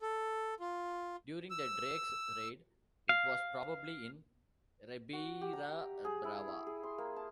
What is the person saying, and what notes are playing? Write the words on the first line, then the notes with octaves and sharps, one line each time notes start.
During the Drake's raid, it was probably in Ribeira Brava.
A4
F4
E6
F5
F#4
G4
A#5
G#4
E4
E4
G#4
C6
A#3
A5